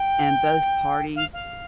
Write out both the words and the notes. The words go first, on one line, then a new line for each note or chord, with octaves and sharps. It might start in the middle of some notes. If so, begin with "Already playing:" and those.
and both parties
Already playing: G5
F5
F5